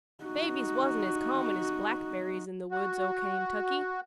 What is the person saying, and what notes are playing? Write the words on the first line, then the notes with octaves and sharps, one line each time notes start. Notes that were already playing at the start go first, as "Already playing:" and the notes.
Babies wasn't as common as blackberries in the woods o' Kaintucky.
D#4 F#4
F#4